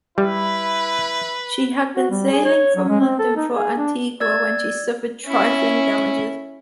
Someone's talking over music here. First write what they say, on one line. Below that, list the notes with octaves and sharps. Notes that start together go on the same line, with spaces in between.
She had been sailing from London for Antigua when she suffered trifling damages.
G3 E4 B4
F#4
G3
G#4
C#5
F#3
G#3
C4
A4
D#4
G#4
D4
D5 E6 G#6
C#4 E4